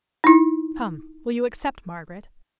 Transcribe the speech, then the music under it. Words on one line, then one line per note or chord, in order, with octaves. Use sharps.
"Come, will you accept, Margaret?"
D#4 E4